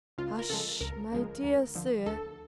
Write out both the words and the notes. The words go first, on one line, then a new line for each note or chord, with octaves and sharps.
'Hush, my dear sir!
C#2 F4
A#4
C#3 F3 G#3 A4
C#2 A#4
C#3 F3 G#3
D2
D3 F3
D2 A4